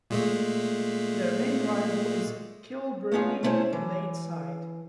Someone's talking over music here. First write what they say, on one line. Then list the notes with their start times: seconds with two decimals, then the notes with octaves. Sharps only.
Their main rival is Kilbirnie Ladeside.
0.10 A#2 G#3 A3
3.12 A3 B3 C#4 D4 F4
3.43 A3 B3 C#4 E4 C5 C#5
3.73 E3